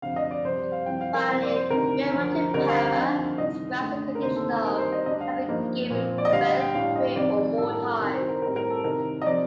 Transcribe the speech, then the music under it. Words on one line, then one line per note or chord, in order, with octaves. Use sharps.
Finally, "grand multipara" describes the condition of having given birth three or more times.
D2 C3 F3 F5
D#5
D5
F2 C3 G3 C5
D5
F5
C2 C3 F3 C4 G5
F5
A#4
C2 C3 F3 C5
D5
C5
D2 C3 D#3 A#4
D2 D3 F3
D2 D3 G3 C4 D#4 A#4
F5
F5
D#2 D3 F3 C4 D#4
C2 C3 D#3 D#5
D2 D3 A3
A#4
D2 C3 D#3 A#3 C5
A4
A4
G2 D#3 G3 C4 A#4
C5
D#5
D2 D3 G3 D4 D#5
F5
G2 F3 A#3 D#4
A#2 F3 C4
D5
D#5
D2 D3 G3 F5
D#5
G5
A2 G3 D4 F5
D#5
F2 C3 D#3 D5
D5
D5
A2 G3 D4 A4
A#4
A4
C2 C3 D#3 A#4
C5
A#4
A2 G3 C4 D#4 A#4
A#4
A4
C2 C3 D#3 A#4
D#5
C3 F3 D5